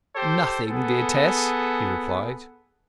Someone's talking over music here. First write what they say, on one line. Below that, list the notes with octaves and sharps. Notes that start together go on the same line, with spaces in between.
"Nothing, dear Tess," he replied.
G4 A4 C5
B3 G#4 A4